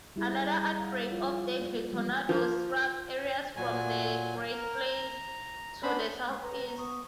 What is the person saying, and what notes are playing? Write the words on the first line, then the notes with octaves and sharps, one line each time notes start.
Another outbreak of deadly tornadoes struck areas from the Great Plains to the Southeast.
G3 E4 G#4
C#5
F5 F#5
F3 F4 C#5
A#3 D5
E3 F3 G3 G#3 B3
F3
A#2 F#3 G#5
A#4
A#5
B3 C#4 D4 C5 B5
G#3 C6 C#6
B4 A#5
B3 C#6 D#6